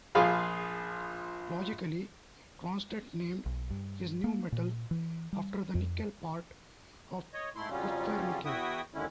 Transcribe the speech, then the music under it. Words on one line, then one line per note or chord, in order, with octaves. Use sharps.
Logically, Cronstedt named his new metal after the "nickel" part of "kupfernickel".
A#1 F3 F4 G#4 F5 B5
B1
G2
A#3
A#2
E3
G3
F2
C#5 D#5
G#2 A3 E4 C6
F2 C#3 F#3 G3 C#4 F4
E2 E4 F#4 E5 G5 D#6
D#2 D3 G#3 C#4 E4